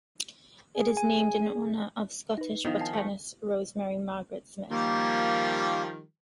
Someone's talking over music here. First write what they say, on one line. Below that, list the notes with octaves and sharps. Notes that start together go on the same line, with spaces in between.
It is named in honor of Scottish botanist Rosemary Margaret Smith.
G#4
G#5
D#4 B4
D#3 F3 B3 E4
G#5 A5 C7
A3
D#3 F3 G3 A#3